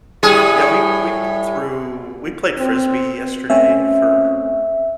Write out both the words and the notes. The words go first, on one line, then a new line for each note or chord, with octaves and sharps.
Yeah, we we p threw we played Frisbee yesterday for,
A2 G3 G#4
C4
A3 C4 C#4 E5